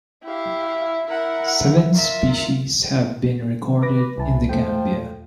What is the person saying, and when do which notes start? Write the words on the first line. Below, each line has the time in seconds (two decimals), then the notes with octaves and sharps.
Seven species have been recorded in the Gambia.
0.24 E4 G4 F5
1.08 E4 A#4 F#5
1.94 F4 A#4 E5
3.83 B4 D6 A#6
4.18 C2 E3 A5
4.49 E2 F3 A3 G5